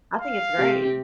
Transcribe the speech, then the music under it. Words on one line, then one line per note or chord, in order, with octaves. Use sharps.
I think it's great.
F5
C3 C4 G4